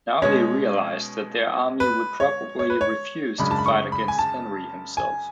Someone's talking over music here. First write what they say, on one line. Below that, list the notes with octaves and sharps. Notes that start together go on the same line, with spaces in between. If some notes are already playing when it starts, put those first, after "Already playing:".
Now they realised that their army would probably refuse to fight against Henry himself.
B2 G#3 C#4 C#5
B4
C#5
C#5
B4
C#5
F#2 C#3 G#3 D4 B5
A5
B5
C#6
B5
G#5
A5
G#5